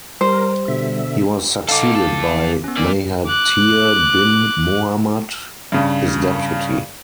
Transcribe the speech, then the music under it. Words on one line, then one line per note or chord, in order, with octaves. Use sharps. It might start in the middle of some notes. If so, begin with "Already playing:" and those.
He was succeeded by Mahathir bin Mohamad, his deputy.
G3 A#4 C5
B2 D3 E5
D#4 A4 F5 D6
F2 A4
B3 C#4
A#3 D5
D6 F#6
G2 C#3